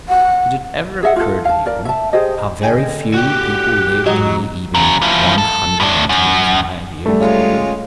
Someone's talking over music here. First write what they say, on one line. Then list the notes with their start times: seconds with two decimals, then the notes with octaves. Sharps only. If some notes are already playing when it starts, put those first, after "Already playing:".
Did it ever occur to you how very few people live to be even one hundred and twenty-five years old?
0.09 F#5
1.03 G#4 D#5 E5 F#5
1.16 F4 A4
1.45 F5 A5
1.66 A#4 D5
1.85 E5 A5
2.13 G4 G#4 C5 D#5
2.62 D3 G#4 D#5 G5 G#5
3.15 F#4 G4 F#6
4.06 G#2 F#3 F#4 G4 D#5 A#5
4.75 C#3 F#3
5.02 E3 F3
5.38 A4
5.80 A2 D4
6.09 F#2
7.06 G3 A3
7.20 G#3 C#4 F4